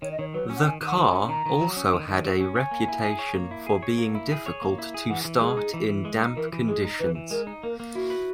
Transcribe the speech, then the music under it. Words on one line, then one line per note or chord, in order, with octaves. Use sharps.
The car also had a reputation for being difficult to start in damp conditions.
D#3 C#5
D#5
D#3 C#5
F#3 B4
C#4
F#5
D#3 G#5
D#3
F#5
F#3
G#5
C#4
D#3 A#5
D#3
F#3
C#4
D#3
D#3
F#3
C#4
C#5 G#5
A#3
E4
G#4
C#5
A#3
E4
G#4
C#5
A#3
E4
G#4
C#5
A#3
E4
G#4
E3 F#5
E3
G#3 G#4
D#4
E3
E3
G#3
D#4
E3 A#4
E3
G#3 G#4
D#4
E3 B4
E3
G#3 A#4
D#4
A#3 A#4
A#3
E4 F#4
B4